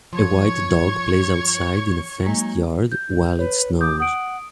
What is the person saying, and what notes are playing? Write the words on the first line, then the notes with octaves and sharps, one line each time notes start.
A white dog plays outside in a fenced yard while it snows.
G2 F3 C#5 C6 C#6 G#6
F#3 G#3 A#3 D#4
G6
B4 C#5
D6 D#6 G6
F#5 D#6 D7